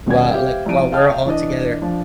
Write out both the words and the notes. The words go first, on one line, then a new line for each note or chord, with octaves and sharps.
while like, while we're all together,
D#1 B2 C#4 B4 D5 G#6
G4 C5 E5 F5 G5
C2 F3 D5 D7 D#7
D#5 F5 G5 A5 F6
E3 D4 D#5
F3 D4